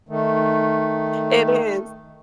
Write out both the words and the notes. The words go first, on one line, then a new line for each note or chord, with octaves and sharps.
it is.
D#3 A3